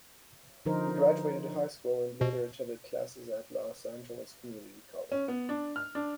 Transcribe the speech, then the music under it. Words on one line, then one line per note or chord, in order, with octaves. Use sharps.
He graduated high school, and later attended classes at Los Angeles Community College.
D3 F3 D#4 A#4 C5
B2
C#4
B3
D4
F6
D4